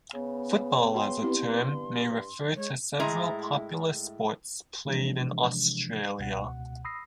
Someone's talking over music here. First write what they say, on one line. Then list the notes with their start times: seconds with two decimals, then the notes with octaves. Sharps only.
Football, as a term, may refer to several popular sports played in Australia.
0.14 C#3 B3
0.95 F#4 G5 C6
1.22 G2 C4 E4 G4
2.56 G#3 C#5
3.00 A2 G#3 E4 G#4 A#5
4.85 C3 E3 F3 G#3 D4
6.19 C#2 B2 F#5
6.85 B5 D#6 E6 A#6 C7